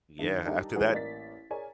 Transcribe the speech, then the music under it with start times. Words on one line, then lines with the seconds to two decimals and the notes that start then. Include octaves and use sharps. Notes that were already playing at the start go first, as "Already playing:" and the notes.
Yeah, after that
0.19 G2 D#3
0.45 G3 D4 D#4 G4 A4 A#4
0.76 E3 G#3 B3 D#4 F#4 G#4
0.92 A1 A#3 D5 A6 B6
1.50 G#4 A#4 C#5 D5 G#5